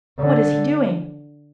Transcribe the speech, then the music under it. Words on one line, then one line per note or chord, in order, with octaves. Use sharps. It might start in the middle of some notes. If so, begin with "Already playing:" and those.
What is he doing?
D3